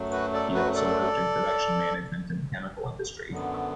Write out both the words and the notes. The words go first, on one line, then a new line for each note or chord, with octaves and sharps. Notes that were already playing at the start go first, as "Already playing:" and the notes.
He also worked in production management in the chemical industry.
Already playing: F#2 F#3 A3
F#4 B4
A4 D5
F#4 B4
A4 D5
F#2 D3 B3